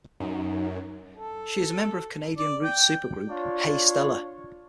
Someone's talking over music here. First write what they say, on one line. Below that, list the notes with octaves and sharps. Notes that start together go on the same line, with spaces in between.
She is a member of Canadian roots super group Hey Stella!
F#2 D#4
A4
D5
G5
D4 F4 C#5